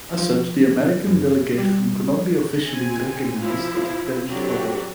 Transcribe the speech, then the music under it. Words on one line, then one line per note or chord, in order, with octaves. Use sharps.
As such, the American delegation could not be officially recognized at the French Court.
F3
F#2
G3
C4 G#5
F3 E4
D3 F#3 C4 F#4 G4 D5